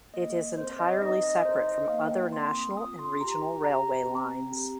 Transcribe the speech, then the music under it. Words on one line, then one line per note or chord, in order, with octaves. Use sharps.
It is entirely separate from other national and regional railway lines.
A#3 D#5
C4 C5
D#5
D#4 D#5
D#5
D#4 C5
D#5
A#3 F5
G5
C4 C6
D#6
F4 D#6
C6
G4 A#5
G4 A#5
C4
G4